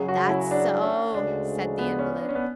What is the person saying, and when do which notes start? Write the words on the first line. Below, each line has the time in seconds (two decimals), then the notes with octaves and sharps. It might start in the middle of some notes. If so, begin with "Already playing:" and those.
"That's so," said the invalid.
Already playing: F#2 C#3 F#3 G#4
0.08 F#4
0.29 E4
0.51 D4
0.83 C#4
1.14 D2 C#3 G#3 D4
1.79 B3
1.99 C#4
2.21 D4
2.29 C#4
2.35 B3